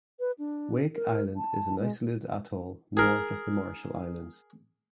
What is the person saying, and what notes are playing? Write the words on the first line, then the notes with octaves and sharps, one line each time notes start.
Wake Island is an isolated atoll north of the Marshall Islands.
B4
D4
A#4
A5
G#3
G#4 A#4